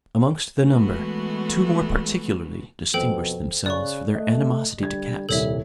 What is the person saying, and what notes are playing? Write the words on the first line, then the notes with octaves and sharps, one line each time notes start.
Amongst the number, two more particularly distinguished themselves for their animosity to cats.
E3 G#3 A3 B3 F#4
F2 B2 A4 C5 G5
C#3 D5 C#6 F#6
A3 D#5
D3 G3 G#6
D#1 C2 G3 A4 C#5 E5